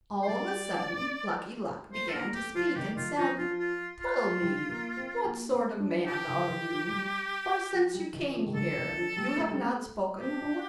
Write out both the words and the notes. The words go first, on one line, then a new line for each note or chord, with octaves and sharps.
All of a sudden Lucky Luck began to speak and said: 'Tell me, what sort of man are you, for since you came here you have not spoken a word?'
C5
G3 D5
A3 C5
A4
A#3 A#4
A3 G4
F3 F4
F4
D#3 G4
D#3 F4
F3 D#4
F3 F4
F4
F4
G3
A#3
C4
A#3
C4
D4
F3 G4
D3
D#3
F3
G3
F3
G3
D#3
F3
D#3
D3 A4
D#3
F3
G3
A3
G3
A3
C4 G4
D4